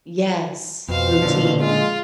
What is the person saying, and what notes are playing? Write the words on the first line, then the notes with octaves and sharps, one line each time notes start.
Yes. Routine.
F2 B2 C5 F5
A#2 D3 F3
G#3 F4